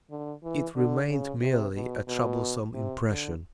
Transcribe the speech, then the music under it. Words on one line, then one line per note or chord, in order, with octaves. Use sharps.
It remained merely a troublesome impression.
D3
E3
D3
C#3
C3
B2
B2
C3
D3